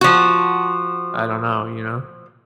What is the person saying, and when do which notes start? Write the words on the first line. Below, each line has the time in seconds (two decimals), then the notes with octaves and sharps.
I don't know, you know?
0.01 F3 F#4